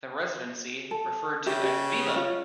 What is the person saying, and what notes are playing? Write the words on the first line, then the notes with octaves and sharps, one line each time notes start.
The residency, referred to as Viva!
A4
C#3 G4 E5
G4
C#4 F4